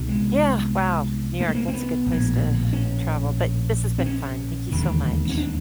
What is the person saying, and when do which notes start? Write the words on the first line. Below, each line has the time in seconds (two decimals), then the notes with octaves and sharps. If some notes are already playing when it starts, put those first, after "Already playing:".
Yeah, wow, New York, that's a good place to travel, but this has been fun, thank you so much.
Already playing: C2 B2
0.08 G#3
1.41 A#3
1.48 A3
1.55 A#3
1.68 C4
1.73 B3
2.06 A#1 A2
2.73 C#4
3.98 C4
4.06 C#4
4.71 E1 D#2 D3
5.29 C#4
5.38 D4